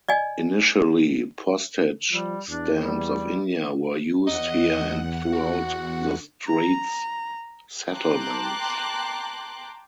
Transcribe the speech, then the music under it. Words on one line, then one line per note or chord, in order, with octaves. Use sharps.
Initially, postage stamps of India were used here and throughout the Straits Settlements.
D5 D#5 G#5
F3 G3
E2 D4
G3
E2 D#5 F#5
F#4
A#5
G5 A5 A#5 C6 D6 F#6